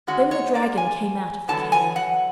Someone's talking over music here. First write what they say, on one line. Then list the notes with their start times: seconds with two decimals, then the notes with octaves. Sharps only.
Then the dragon came out of the cave.
0.07 D3 G#3 C#4 F#4
0.31 C#5
0.55 D5
0.77 G#5
1.48 E2 D3 F#3 B3 A5
1.72 G#5
1.96 F#5